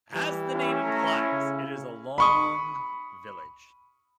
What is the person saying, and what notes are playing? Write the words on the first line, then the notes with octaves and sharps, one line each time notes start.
As the name implies it is a long village.
E3 G3 G4
C#4 E4
A3 A#5
C#3
B5 C#6 D#6